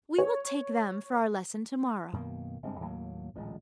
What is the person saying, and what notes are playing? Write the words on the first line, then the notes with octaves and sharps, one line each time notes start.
We will take them for our lesson to-morrow.
C#5
F#2 B2 D#3 A#3
F#1 G2 G#3 C4
D#2 A2 F#3 A#3
D1 A1 A#2 G#3